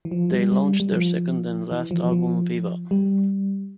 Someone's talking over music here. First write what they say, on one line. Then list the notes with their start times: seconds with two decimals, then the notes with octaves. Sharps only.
They launched their second and last album Viva!
0.05 E3
0.11 F3
0.31 G3
0.52 G3
0.80 G3
0.92 F3
1.71 E3
1.91 F3
2.12 F3
2.91 G3